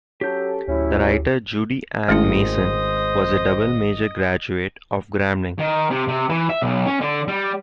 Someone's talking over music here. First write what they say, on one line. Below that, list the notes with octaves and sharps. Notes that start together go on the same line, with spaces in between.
The writer Judi Ann Mason was a double major graduate of Grambling.
F#3 C#4 G4 A4 G6
D2 A2 F#3 C#4 E4
G#1 A3 C#4 E4 C5 D#5 D#6
D#3
C3
C3
E3
E5
B1
C#4
D3
G3